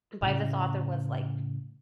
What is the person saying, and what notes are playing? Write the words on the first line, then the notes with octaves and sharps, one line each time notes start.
by this author was, like,
A2 C#3